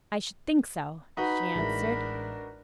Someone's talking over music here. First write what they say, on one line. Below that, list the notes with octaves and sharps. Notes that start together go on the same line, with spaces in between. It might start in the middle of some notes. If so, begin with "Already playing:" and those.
"I should think so," she answered.
D#4 F#4 B4 B5
A1 G#3 D4 A#4 E5